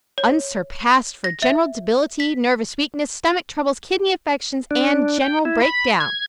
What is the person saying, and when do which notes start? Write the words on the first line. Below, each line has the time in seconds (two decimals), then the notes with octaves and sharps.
UNSURPASSED for General Debility, Nervous Weakness, Stomach troubles, Kidney affections and General Break-Down.
0.18 C#5
1.24 A#6
1.43 E5
2.20 B6
4.71 D4
5.22 G5
5.45 E4
5.62 B5
6.00 G#6